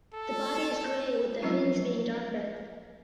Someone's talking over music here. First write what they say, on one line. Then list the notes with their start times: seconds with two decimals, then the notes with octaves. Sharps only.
The body is grey with the fins being darker.
0.14 A4
1.42 F3 F#3 C4 C#4 D#4 F4